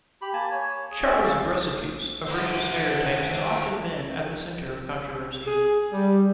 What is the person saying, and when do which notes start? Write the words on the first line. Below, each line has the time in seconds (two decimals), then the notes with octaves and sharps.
Charles' aggressive use of racial stereotypes has often been at the center of controversy.
0.22 G4 B5
0.33 A#3 G#5 A5
0.51 C#5
0.91 G#4
1.06 C#4 D5
1.24 D5 F5 C#6 E6
2.27 F#4 C5
5.46 G#4
5.92 G3